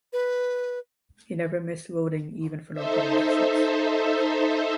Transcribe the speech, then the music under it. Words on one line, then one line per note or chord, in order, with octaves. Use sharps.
He never missed voting, even for local elections.
B4
D#4 A4 C5 E5